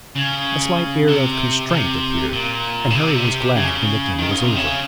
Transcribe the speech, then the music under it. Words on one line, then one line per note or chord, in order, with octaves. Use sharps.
A slight air of constraint appeared and Harry was glad when the dinner was over.
C#3
C3
C3
A#2
C#3
C3
C#3
D#3
C#3
C3
C#3